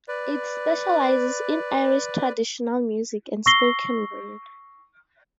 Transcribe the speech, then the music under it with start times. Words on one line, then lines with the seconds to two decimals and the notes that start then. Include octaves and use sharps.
It specialises in Irish traditional music and spoken word.
0.08 B4 D5
3.46 C#6 E6 A#6 C7 G7